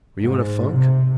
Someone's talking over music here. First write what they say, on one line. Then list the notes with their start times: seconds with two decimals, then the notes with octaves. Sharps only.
Were you in a funk?
0.20 G#2
0.70 C3